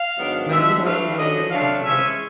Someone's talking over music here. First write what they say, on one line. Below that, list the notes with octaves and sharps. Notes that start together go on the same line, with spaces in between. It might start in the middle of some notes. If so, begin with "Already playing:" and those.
Meine Mutter hat schon einen Adventskranz besorgt.
Already playing: F5
G#2 D#3 F#3 B3 D4
B2 G#3 B3 D4 E5
G2 E3 A3 D4 F5
F#2 D3 F#3 D#5
D3 F#3 A3 D4 F5
E3 G#3 C#4 E5